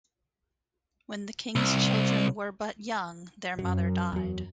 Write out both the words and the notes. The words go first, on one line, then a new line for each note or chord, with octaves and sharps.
When the king's children were but young their mother died.
C2
F#2 F#3
E2 F#3